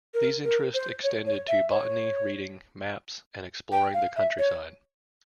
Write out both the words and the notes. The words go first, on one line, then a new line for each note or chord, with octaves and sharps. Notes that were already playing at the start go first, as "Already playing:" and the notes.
These interests extended to botany, reading, maps, and exploring the countryside.
A#4
A#4
C5
C#5
C#5
E5
C#5
G5
F5
E5
C#5